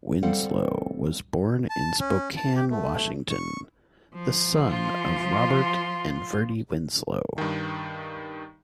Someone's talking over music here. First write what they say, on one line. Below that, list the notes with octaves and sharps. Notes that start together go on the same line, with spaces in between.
Winslow was born in Spokane, Washington, the son of Robert and Verdie Winslow.
G3 C4 A4 C5 F5 F#5
A5
C#4
A5
G4
A3
C#6
F3
F4 C6
G2 D#3